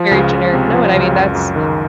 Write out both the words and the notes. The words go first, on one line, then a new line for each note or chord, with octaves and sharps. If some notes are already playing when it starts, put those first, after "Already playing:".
very generic. No, and I mean, that's
Already playing: F3
C#2 C#3 C#4
C#2
C3
F3
C#2
F#2
F#2
D#3